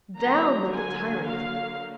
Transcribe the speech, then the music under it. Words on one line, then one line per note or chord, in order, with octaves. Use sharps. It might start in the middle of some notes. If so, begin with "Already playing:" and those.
Down with the tyrant!
D3 F#3 A#3 A#5
G#5
F5